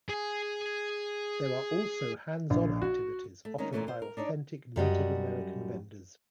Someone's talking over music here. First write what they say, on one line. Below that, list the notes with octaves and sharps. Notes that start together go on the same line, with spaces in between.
There are also hands-on activities offered by authentic Native American vendors.
G#4 G#5
A#1
F#4
A3
D#3 G#3 A#3 C#4 D#4
D2 A#2 D#3 E3 A3 C#4
F4 C5
A#4
D4 D#4 C#5 D5
F#2 G3 F#4 D#5